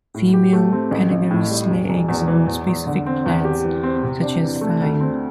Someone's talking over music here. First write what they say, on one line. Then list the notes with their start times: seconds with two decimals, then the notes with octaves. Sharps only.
Female "Phengaris" lay eggs on specific plants such as thyme.
0.14 A2
0.34 G4
0.53 A3
0.73 C4
0.91 A1
1.11 A1
1.31 A2
1.50 G3
1.70 E1
1.89 E1
2.09 E2
2.28 E3
2.47 E2
2.67 E2
2.87 D3
3.06 C4
3.26 E2
3.45 G4
3.64 E3
3.83 C4
4.03 C3
4.22 D4
4.42 E3
4.61 A3
4.81 D2
5.00 C4